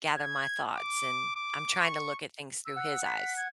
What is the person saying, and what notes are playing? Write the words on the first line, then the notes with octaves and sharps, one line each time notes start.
gather my thoughts, and I'm trying to look at things through his eyes.
G#6
D6
D6
C#6
E6
F#5
B6
G#6